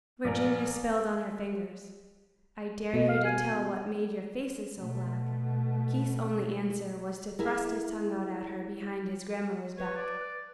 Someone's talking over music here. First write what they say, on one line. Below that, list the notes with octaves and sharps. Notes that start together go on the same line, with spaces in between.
Virginia spelled on her fingers: "I dare you to tell what made your faces so black!" Keith's only answer was to thrust his tongue out at her behind his grandmother's back.
A#1 A#4
B2 D#5
F5
G#5
B2 A3
E4 G#4 A#4
B4 C#5
D5